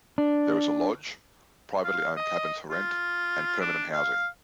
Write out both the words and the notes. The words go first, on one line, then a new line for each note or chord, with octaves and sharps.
There is a lodge, privately owned cabins for rent, and permanent housing.
D4
F5
D#5
F4
D4
F5